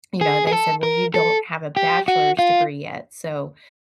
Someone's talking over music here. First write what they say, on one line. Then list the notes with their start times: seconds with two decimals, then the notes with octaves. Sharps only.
you know, they said, "Well, you don't have a bachelor's degree yet, so
0.21 G#4
0.47 G#4
0.52 A4
0.83 A#4
1.14 A4
1.77 G4
2.08 F#4
2.39 F4